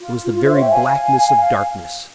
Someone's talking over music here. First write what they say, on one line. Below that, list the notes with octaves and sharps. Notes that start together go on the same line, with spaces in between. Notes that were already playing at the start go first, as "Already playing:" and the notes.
It was the very blackness of darkness.
F4
F4
F4
C5 E5
C#5 F5
E5 G5
F5 G#5
F5 G#5